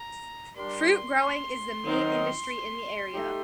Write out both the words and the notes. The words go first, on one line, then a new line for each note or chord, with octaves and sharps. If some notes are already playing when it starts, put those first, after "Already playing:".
Fruit growing is the main industry in the area.
Already playing: A#5
G3 D4 G4 A#4 D5 C6
C6
D#3 F#3 C4 D#4
A3 D#4 G4